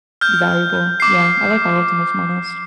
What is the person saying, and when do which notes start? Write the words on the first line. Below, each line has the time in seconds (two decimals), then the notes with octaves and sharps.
valuable. Yeah, I like all of them, if I'm honest.
0.21 F6 G6
1.00 D6 C7